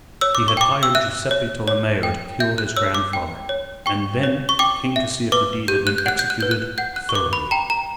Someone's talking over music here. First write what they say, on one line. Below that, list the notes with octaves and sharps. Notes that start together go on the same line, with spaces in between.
He had hired Guiseppe Tolomeo to kill his grandfather, and then came to see if the deed had been executed thoroughly.
C#5 E6
D6
C#6
G5 D6
E6
E5 F#6
C#5
C#5
G5
E5 G6
F#6
C#5 E6
D6
G5
C#5
G5 C#6
C#5
C#6
G5 D6
E5
B4 D6
G4 G6
F#6
G6
F#5 F#6
G6
F#6
B4 G6
F#6
F#5 G6
F#6
C#6
B4 D6
B5
G5 A#5
A#5